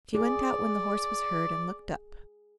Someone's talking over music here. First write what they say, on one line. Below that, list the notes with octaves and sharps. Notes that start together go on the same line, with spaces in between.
She went out when the horse was heard, and looked up.
G#4 D5